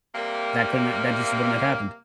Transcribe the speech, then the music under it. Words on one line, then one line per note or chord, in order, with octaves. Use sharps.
that couldn't, uh that just wouldn't have happened,
C3 G3 A#3